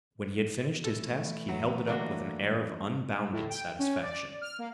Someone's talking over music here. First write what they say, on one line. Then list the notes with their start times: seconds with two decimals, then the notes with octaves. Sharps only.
When he had finished his task he held it up with an air of unbounded satisfaction.
0.84 E3 A3 A4
1.48 F#3
1.87 A#3 D4 F#4
3.33 A2
3.49 G5
3.79 C#4
4.01 D5
4.41 F6
4.59 A#3